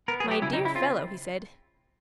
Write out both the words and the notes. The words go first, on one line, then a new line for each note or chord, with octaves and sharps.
"My dear fellow!" he said.
B3 A#4
G#4
F#3
G4
C#3 E4
D#4
C#3
E4
C4 F4